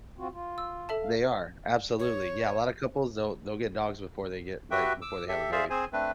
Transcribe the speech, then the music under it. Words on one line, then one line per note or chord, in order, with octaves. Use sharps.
They are, absolutely. Yeah, a lotta couples, they'll they'll get dogs before they get, like before they have a baby.
C4 F4 F#4
F4
E6
A4 E5 A5
F5
C#5
F#4 G4 B4 E5 G5
D6 E6
G4 A4 E5
G#4 C5 D5 E5 F5
C4 G#4 C5 G#5
A3 C4 D4 B4